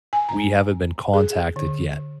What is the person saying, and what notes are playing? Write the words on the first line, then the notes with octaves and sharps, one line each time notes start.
we haven't been contacted yet?
G#5
A#5
G#4
D3